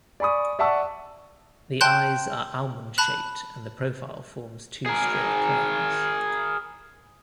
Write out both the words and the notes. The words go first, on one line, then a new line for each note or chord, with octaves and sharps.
The eyes are almond shaped and the profile forms two straight planes.
D5 G#5 B5 C#6 D#6
D5 E5 F#5 A5 C#6 E6
G5 A5 C6 F#6 G6
A5 B5 F#6
G#4 A#4